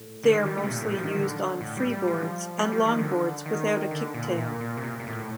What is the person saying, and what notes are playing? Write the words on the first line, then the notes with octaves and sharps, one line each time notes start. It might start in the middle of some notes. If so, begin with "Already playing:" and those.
They are mostly used on freeboards and longboards without a kicktail.
Already playing: A2
D3
D#3
G3
A3
C3
A#2
A2
G3
F3
D#3
D3
A2
G3
G3
F3
G3
F3
D#3
D3
D#3
D3
A#2
A#2
A#2
C3
A#2
A#2
A2